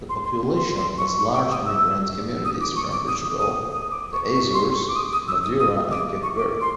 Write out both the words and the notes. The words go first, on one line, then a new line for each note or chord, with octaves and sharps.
The population has large immigrant communities from Portugal, the Azores, Madeira and Cape Verde.
C6
C6
C6
C6
C#6
C#6
D6
D#6
E6
D#6
D6
C#6
D6
D#6
D#6
D#6
D6
C#6
C#6
C6
C#6
D6
D#6
D#6
E6
D#6
D#6
D6
C#6
D6
C6